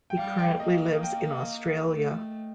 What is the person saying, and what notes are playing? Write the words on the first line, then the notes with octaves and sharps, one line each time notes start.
He currently lives in Australia.
G5
G3 F5
G5
A#3 D#5
G5
A3